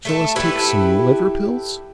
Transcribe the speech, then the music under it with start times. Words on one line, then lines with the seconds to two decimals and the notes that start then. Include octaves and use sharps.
Shall us take some liver pills?'
0.05 A3 A4 A5
0.36 E4 G4 A4 B4